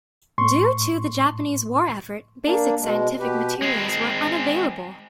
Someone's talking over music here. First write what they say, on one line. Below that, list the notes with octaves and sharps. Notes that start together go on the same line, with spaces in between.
Due to the Japanese war effort, basic scientific materials were unavailable.
A2 C6 C#6
A#3 D4
B2 G#3
B2 G4 B4
G#3 C4